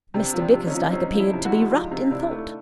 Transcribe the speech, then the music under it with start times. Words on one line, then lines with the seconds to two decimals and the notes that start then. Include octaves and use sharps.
Mr Bickersdyke appeared to be wrapped in thought.
0.14 C3 C4 D4
0.34 F3
0.40 C4 D4
0.54 C3
0.67 C#4 D#4
0.74 F3
0.93 C4 C#4 D#4
1.13 F3
1.19 D4 E4
1.33 C3
1.45 E4 F#4
1.52 G#3
1.62 F#4
1.71 F3 D#4 F4
1.91 C3
2.11 C3 D4 E4
2.31 A3